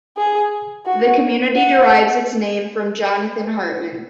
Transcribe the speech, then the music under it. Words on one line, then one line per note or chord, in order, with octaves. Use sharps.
The community derives its name from Jonathan Hartman.
G#4
F#4
F#5